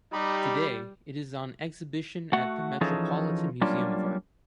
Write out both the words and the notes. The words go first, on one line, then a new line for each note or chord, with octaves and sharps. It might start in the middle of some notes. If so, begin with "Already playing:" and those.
Today, it is on exhibition at the Metropolitan Museum of Art.
G3 D#4 G4 B5
A3 F#4 F#5
E3 F3 C#4 D#4 G#4 A4
F#3 G3 A#3 C#4 D4 F4